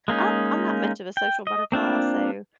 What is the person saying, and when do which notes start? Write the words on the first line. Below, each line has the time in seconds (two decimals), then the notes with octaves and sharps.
I'm I'm not much of a social butterfly, so
0.08 G#3 A#3 C#4 D#4
1.17 G5
1.47 D#5
1.72 A#3 C4 D4 F4